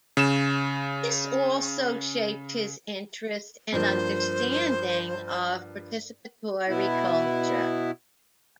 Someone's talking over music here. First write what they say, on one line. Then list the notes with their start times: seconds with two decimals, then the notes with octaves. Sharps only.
This also shaped his interest and understanding of participatory culture.
0.17 C#3 E7
3.72 G2 F3 A#3 C5
6.68 B2 B3 E4